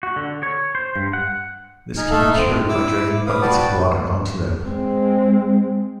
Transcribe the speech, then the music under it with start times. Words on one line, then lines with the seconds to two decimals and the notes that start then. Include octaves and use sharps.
This can be cured by dragging buckets of water onto them.
0.03 F#4
0.16 D3
0.43 C#5
0.75 C5
0.96 G2
1.13 F#5
1.97 D#4 G#5 F6
2.11 A3 D#4 A4 E5 F5
2.37 C4
2.69 E4 D6 E6
3.26 B4 F5 D#6
3.42 F#4 B4 D5 G5 A5
4.65 G#3 C4